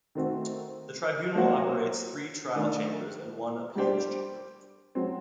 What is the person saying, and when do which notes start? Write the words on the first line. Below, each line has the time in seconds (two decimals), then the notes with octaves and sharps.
The Tribunal operates three Trial Chambers and one Appeals Chamber.
0.15 D#3 A3 C4 F#4
1.35 F#3 A#3 F#4 C5
2.56 D#3 A3 D4
3.75 G3 D4 G4 C5
4.95 F#3 C4